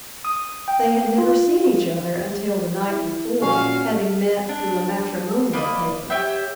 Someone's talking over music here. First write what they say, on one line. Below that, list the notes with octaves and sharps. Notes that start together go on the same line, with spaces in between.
They had never seen each other until the night before, having met through a matrimonial paper.
D#6
G5
F4
E4
A#2 C#4 F#4 F5
D4
A#3 B4 D5 D#5
G4 C#5 E5 G5